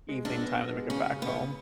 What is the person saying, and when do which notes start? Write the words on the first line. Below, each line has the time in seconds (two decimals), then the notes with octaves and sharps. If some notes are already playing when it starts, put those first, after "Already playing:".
evening time to make it back home,
0.09 G#3
0.25 B1 D4
0.42 B3
0.57 B3
0.73 G#3
0.89 C#3 C#4
1.06 C#3
1.22 E1 B3